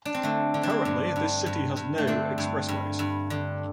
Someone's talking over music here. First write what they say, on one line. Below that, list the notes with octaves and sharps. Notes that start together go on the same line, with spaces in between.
Currently, this city has no expressways.
D4
C4
D3 A3
D3
D4
C4
G2
G2
G2
G2
A3
D3 C4
G2
G2
G2
D3